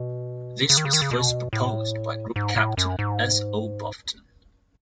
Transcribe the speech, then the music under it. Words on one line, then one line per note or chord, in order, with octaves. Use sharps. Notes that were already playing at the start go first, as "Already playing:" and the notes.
This was first proposed by Group Captain S. O. Bufton.
Already playing: B2
C#3
D#3
C#3
D#3
C#3
B2
A2
G#2
A2
F#2
G#2